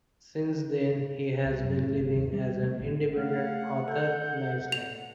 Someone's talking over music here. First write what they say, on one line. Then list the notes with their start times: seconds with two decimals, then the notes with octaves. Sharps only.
Since then he has been living as an independent author in Iceland.
1.45 C2
1.64 F#2
1.77 A2
1.98 G1
2.17 D#2
2.33 G3
2.63 A3
2.79 A1
3.17 A3 F5 F#5
3.88 A4 G6
4.72 F7